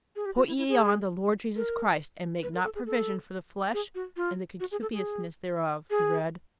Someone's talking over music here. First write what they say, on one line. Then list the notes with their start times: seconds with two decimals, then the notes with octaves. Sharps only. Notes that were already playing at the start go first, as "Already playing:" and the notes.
"Put ye on the Lord Jesus Christ, and make not provision for the flesh and the concupiscence thereof," he read.
0.16 G#4
0.26 G4
0.36 F#4
0.47 E4
0.58 E4
0.69 G#4
1.56 A#4
2.43 B4
2.54 A#4
2.64 A4
2.75 G#4
2.86 A4
3.74 G#4
3.95 F#4
4.17 F4
4.60 F#4
4.72 G#4
4.82 A4
4.93 G#4
5.90 G#4